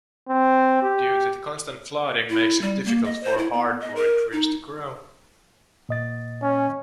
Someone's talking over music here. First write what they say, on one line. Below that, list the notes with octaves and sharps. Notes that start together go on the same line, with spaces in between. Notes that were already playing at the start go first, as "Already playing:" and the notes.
Due to the constant flooding makes it difficult for hardwood trees to grow.
C4
G4
E4
G3
A#3
D#5
C5
E4
B3
D#5
A#4
D#4
A#2 D#5 A6
C#4